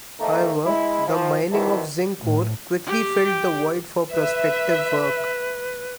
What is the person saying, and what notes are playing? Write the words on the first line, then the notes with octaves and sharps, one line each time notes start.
However, the mining of zinc ore quickly filled the void for prospective work.
A#1 D#3 A3 A#3 D#4 A4
G#3 E4
F3
D#3 E3 F#3 C4 D4 E4
A2
G4 G5
B4 E5